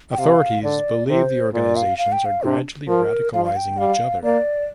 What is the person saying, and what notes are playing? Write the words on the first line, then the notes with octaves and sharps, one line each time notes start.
Authorities believe the organizations are gradually radicalizing each other.
G5
C3 F5
D3 D5
C3 C5
A#2 D5
F5
F5
G5
F5
C3 D4
F3 A#4
F3 F5
F5
G5
G3 F5
A#3 D5